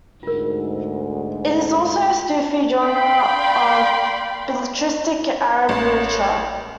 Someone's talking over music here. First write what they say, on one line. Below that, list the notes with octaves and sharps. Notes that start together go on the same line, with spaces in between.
It is also Sufi genre of belletristic Arab literature.
D2 G#2 F4 A#4
D5 F5 G5 B5 C6
A1